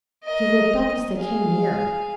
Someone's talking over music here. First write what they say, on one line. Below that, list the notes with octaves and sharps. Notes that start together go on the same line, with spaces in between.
He looked up as they came near.
A#4 D#5
G#4 F5